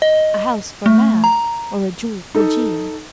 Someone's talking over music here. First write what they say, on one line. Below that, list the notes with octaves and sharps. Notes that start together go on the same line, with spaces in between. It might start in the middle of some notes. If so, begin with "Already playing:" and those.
A house for Mab or a jewel for Geo.
D#5
A3
A#5
D#4 A4